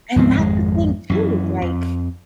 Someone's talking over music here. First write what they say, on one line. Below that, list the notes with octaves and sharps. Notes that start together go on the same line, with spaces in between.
And that's the thing, too, like,
D2 G#2 F3 C4
G#1 F2 G#3
F#2 E3
F2